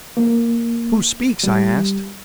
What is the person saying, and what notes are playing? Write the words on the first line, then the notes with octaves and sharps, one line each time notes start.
"Who speaks?" I asked.
A#3
G3